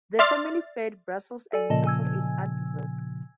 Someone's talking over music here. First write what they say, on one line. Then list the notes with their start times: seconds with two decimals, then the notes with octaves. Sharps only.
The family fled Brussels and settled in Antwerp.
0.19 D5 E5 C6 F6 A6
1.53 A4 D5 G#5
1.70 A#2 C#3 F3 D#5 A5
1.85 G#5 E6 G#6